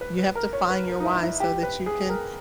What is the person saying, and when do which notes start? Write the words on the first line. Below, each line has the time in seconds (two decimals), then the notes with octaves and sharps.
You have to find your "why" so that you can
0.01 B4
0.18 B4
0.35 A#4
0.53 C#5
0.70 B4
0.88 A#4
1.00 D#4
1.05 E4
1.23 E4
1.40 G4
1.63 B4
1.86 G#4
2.09 A#4